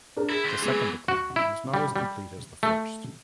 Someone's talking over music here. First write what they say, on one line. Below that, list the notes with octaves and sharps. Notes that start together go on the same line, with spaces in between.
The second decline was not as complete as the first.
D4 A#4
E4 G#4
D2 C5
E3 F#3 G#3 B3
F#4
E4
G3
G3
A3